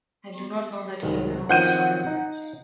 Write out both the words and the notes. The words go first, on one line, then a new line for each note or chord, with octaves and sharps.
I do not know that he has an overstock of sense.
C2 G#2 D#3
D#3 F3 C4 F#5 G6 D#7
D#4